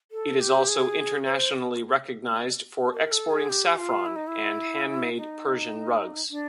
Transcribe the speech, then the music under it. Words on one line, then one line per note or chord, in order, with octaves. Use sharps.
It is also internationally recognised for exporting saffron, and handmade Persian rugs.
A4
G4
G#4
C5
A#4
A4
G#4
G4
F4
E4
D#4
E4
D#4
D4